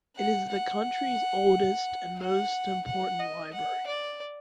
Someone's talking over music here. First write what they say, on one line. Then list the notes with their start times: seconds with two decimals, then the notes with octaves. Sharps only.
It is the country's oldest and most important library.
0.17 F#5
0.50 F#5
2.19 F#5
2.85 F#5
3.19 D#5
3.53 F#5
3.87 D5